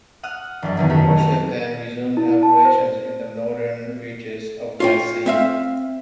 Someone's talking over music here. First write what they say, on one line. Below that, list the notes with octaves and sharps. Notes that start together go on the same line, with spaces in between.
The warship then resumed operations in the northern reaches of that sea.
F#5 D#6 F6 F#6
E1 F#2
F#2 B2 D#3
D#3 A3 C#4 G4
E4
A5
C5
F4 C#5 G5
C4 E5 F5